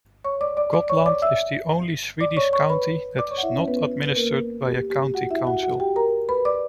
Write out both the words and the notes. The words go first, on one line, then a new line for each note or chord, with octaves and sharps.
Gotland is the only Swedish county that is not administered by a county council.
C#5 C#6
D5 D6
D5 D6
D5 D6
C#5 C#6
D5 D6
E5 E6
D5 D6
C#5 C#6
C#5 C#6
B4 B5
D5 D6
C#5 C#6
F#5
E4 E5
C#4 C#5
B3 B4
B4
A#3 A#4
G4
G4
F#4 F#5
E4 E5
F#4 F#5
F#4 F#5
G4 G5
A#4 A#5
B4 B5
D5 D6